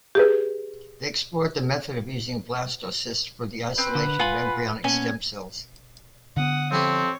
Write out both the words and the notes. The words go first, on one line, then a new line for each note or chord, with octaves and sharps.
They explored the method of using blastocysts for the isolation of embryonic stem cells.
G4 G#4 B4
C4 B4
D3
F4 F#5 G#5 B5
A#2 B3 C#4 G#5
D3 B3 F#5 D#6
F2 C4 E4 G4 C#5